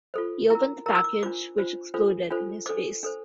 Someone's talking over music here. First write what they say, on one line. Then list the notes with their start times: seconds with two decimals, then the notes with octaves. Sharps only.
He opened the package which exploded in his face.
0.14 F4 A4 C5
0.50 E4 A#4 A#5
0.86 E4 A#4 A#5
0.95 E6
1.04 D6
1.23 D4 F4 C5 D6
1.58 D4 F4 C5
1.94 D4 F4 A4 C5
2.30 D4 F4 A4 C5
2.66 D4 A4 C5 D6
3.03 D4 A4 C5